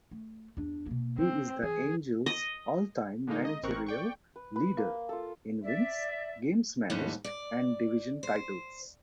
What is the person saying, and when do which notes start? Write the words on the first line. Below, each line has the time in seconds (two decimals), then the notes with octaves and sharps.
He is the Angels' all-time managerial leader in wins, games managed, and division titles.
0.11 A3
0.57 E2 D4
0.86 B2 A#3
1.18 D#3 C4
1.63 E3 G#4
2.26 D#5
3.27 D3 G#3 A#3 D#4
3.45 D#5
3.63 A1 C4 A#4 C#6 F#6
3.87 D5 G5 C#6
4.36 B4
4.56 B4
4.78 A#3
5.09 F4 A4
5.63 D5 E5
6.90 D#2 G#2 E3 G3 A3 C#4
7.24 D5
8.23 C5